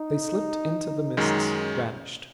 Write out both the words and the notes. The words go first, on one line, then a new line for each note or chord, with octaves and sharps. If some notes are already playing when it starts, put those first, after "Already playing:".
They slipped into the mists; vanished.
Already playing: D#4
F#2 D#3 G#3 D#4
C#4